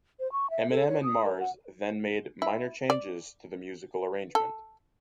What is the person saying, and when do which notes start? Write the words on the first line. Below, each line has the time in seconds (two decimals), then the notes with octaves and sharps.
Eminem and Mars then made minor changes to the musical arrangement.
0.20 C5
0.32 C#6
0.50 E5
0.70 A4
0.88 C#5
1.03 D#6
1.24 A#4
1.40 F#5
2.42 E4
2.90 D5
4.35 A4